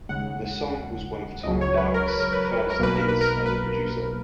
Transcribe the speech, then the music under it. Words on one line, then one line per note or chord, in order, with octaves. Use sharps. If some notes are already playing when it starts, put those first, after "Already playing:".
The song was one of Tom Dowd's first hits as a producer.
D#2 C#3 G#3 F#5
C#2 C#3 F#3 D#5
C#5
B4
A#4
B4
A#4
B4
A#4
B4
A#4
B1 B2 A#3 B4
A#4
B4
A#4
B4